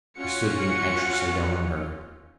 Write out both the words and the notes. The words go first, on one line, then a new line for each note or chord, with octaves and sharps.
He stood looking anxiously down on her.
C#4 F4 F#4 F#5 C#7